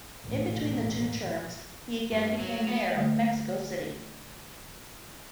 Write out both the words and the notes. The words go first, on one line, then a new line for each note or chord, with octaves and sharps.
In between the two terms, he again became mayor of Mexico City.
A1 D#2 G#2 B2
G2
F#3
B3
D3 G3 A3